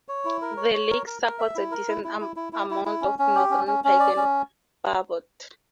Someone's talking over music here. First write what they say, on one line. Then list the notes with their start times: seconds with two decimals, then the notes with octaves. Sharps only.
The lake supports a decent amount of Northern Pike and Burbot.
0.08 C#5
0.25 E4
0.42 A#4
0.57 C#5
0.73 C#5
0.91 A#4
1.07 A#4
1.22 A#4
1.39 E5
1.55 E4
1.72 A#4
1.89 E4
2.04 E4
2.20 E4
2.36 E4
2.53 E4
2.70 E4
2.85 E4
3.02 C#4
3.19 C#4
3.35 G4
3.51 C#4
3.67 C#4
3.84 C#4
3.99 D5
4.17 C#4